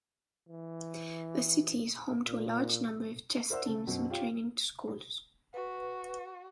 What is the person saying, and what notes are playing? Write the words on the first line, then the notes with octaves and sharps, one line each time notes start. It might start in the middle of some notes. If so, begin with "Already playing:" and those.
The city is home to a large number of chess teams and training schools.
E3
A#2
A#4 C5 D5 E5 F#5 E6
C#3 A3 A4
F#2 B2 F#3 C4
F4 G4 C#5 F5 G5
F#4 B4